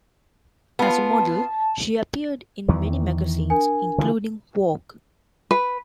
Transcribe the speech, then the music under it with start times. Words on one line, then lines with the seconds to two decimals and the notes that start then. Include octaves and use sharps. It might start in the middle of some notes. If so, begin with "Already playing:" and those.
As a model, she appeared in many magazines including "Vogue".
0.79 B3 F4 A5
2.68 E2 D#3 E3
3.50 D4 A#4 G#5
3.98 D3 E3 F3
5.51 B4